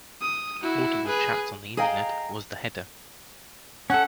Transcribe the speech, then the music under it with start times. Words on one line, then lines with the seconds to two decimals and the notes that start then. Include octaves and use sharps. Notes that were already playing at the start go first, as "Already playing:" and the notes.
Audible chats On the Internet was the header.
0.21 D#6
0.63 E4 F#4
1.07 G#4 B4
1.77 G#4 D#5 F5 G5 A#5
3.90 C#4 A4 F#5